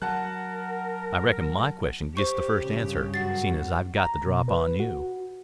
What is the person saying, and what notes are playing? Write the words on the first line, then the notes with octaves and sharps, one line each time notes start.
"I reckon my question gits the first answer, seeing as I've got the drop on you."
F#3 A#4 F#5 A5 F#6
G4 C5 C#6
G2 C#3
F#2 F#4 A6 C7
A#5
B2
B4
F#4